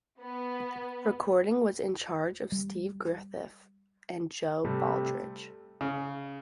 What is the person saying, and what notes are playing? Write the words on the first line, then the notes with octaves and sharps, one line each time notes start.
Recording was in charge of Steve Griffith and Joe Baldridge.
B3
G3
C3 G3 A3
C#3